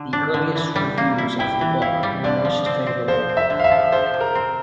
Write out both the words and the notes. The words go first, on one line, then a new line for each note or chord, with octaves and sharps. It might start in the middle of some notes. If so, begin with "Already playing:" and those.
The earliest reviews of the book were most favourable.
Already playing: D3
D4
D3
E3
G3
A#3
E4
E4 G5
E3
E4 F5
G3
D3 D5
F3
C4
C4
F3 C5
C4
E5
D3
F5
E5
F3
F3 C5
C3
A#4
C4